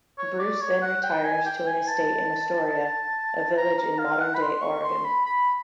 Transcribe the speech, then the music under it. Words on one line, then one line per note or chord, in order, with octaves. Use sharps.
Bruce then retires to an estate in Astoria, a village in modern-day Oregon.
C#5
D5
C#5
F#5
G5
G#5
G5
G#5
A5
A#5
A#5
F5
F#5
B5
C6
C#6
C6
B5
B5